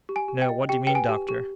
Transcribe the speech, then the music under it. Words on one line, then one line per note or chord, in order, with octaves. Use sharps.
"No! what do you mean, doctor?"
G4
G#5
G4
G5
D#5
G4 G5
B4 G5
G#5
G4
G4